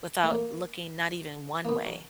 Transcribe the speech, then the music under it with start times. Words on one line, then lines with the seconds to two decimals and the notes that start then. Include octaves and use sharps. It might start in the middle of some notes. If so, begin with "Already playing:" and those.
without looking not even one way.
0.23 A3
0.31 A#3
1.65 A#3
1.69 B3
1.86 F#3